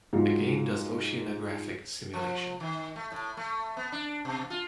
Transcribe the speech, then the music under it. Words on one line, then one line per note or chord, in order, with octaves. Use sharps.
The game does oceanographic simulation.
G#2 F#3 F4
F3
D#3
A3
A2
A3
B3
D4
B2
F4